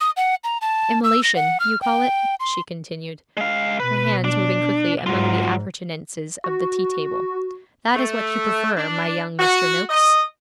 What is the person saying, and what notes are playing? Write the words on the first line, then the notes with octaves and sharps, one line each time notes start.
Immolation, you call it?' she continued, her hands moving quickly among the appurtenances of the tea-table. 'That is what you prefer, my young Mr. Noakes.'
D#6
F#5
A#5
A5
E6
A#6
F#5
F6
G5
C6
G#3 F5
B2 B4
D4
G#2 F#3 F4
F#4
A3
D4
F#4
D#5